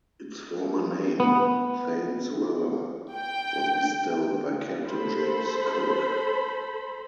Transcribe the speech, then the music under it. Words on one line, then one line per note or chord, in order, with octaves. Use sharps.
Its former name, Thames River, was bestowed by Captain James Cook.
B3
G5
A4 C5 B5